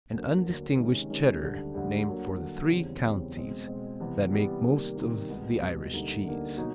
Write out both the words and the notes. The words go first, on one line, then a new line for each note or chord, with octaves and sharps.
An undistinguished Cheddar named for the three counties that make most of the Irish cheese.
D2 D3 F#3 A#3
D2 D3 F#3 A#3
C3 D#3 G#3 C#4
C3 D#3 G#3 C#4
D2 D3 G3
D2 D3 G3
D3 F#3 A#3
D3 F#3 A#3
E2 C#3 E3 G3 C4
E2 C#3 E3 G3 C4
B2 G#3 C4
B2 G#3 C4
C3 E3 G3 B3
C3 E3 G3 B3
C3 D#3 G3 A#3
C3 D#3 G3 A#3
C2 B2 G#3 B3
C2 B2 G#3 B3
D2 D3 G3 A#3 D#4
D2 D3 G3 A#3 D#4
B2 F#3 A#3 D#4 F#4